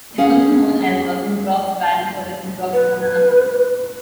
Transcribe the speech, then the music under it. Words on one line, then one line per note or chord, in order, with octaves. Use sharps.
It is also known as Rosenbrock's valley or Rosenbrock's banana function.
C#4 G#4 F5 F#5
B4